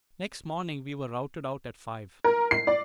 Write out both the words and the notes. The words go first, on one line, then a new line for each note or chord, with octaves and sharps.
Next morning we were routed out at five.
A#4
C7
D5